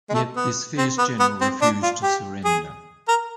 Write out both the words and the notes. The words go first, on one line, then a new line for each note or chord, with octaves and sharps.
Yet this fierce general refused to surrender.
G#3
A3
B3
C4
B3
B3
C4
D4
F4
G4
G#4
A#4